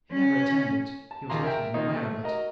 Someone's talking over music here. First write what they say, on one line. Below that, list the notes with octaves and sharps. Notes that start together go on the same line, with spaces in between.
He never returned it--he was not even aware of it.
C#4
A5
D#2 F4 G#4 A#5 C6
A#4 E5 G5
D#3 A#3 D#4 F4
A3
F#4 A#4 D#5 A#5